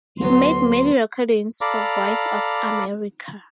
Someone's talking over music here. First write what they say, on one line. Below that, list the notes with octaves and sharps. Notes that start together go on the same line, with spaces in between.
He made many recordings for Voice of America.
D2 F#3 B3 C6
A4 D5 F5 A#5 B5 D6